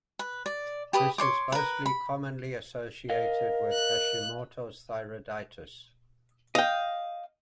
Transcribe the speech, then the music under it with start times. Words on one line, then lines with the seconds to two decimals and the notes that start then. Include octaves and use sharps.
This is most commonly associated with Hashimoto's thyroiditis.
0.19 B4
0.46 D5
0.93 G4 B4 B5 D#6
1.18 C#5 C6 D6
1.52 A#4 B4
1.86 B5
3.10 A#4 D#5 F5
3.72 F#6
6.55 D#5 F5 G5